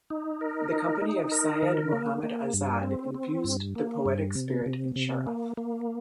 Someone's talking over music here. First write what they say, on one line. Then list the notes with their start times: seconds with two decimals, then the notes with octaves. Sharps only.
The company of Syed Muhammad Azad infused the poetic spirit in Sharaf.
0.10 D#4
0.41 A#4
0.71 D#4
1.01 D#4
1.32 A#4
1.62 D#3
1.93 A#3
2.23 A#3
2.53 G2
2.83 C4
3.14 C4
3.44 G2
3.75 A#3
4.05 G2
4.35 C3
4.66 C3
4.96 C3
5.27 A#3
5.57 A#3